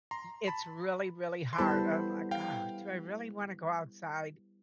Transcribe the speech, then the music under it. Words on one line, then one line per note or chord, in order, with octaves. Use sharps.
it's really, really hard, I was like, "Ugh. Do I really wanna go outside?"
A#5 C6
A5 B5
C6
G3 B3 E4 A4 C5 A5 B5
F5 G5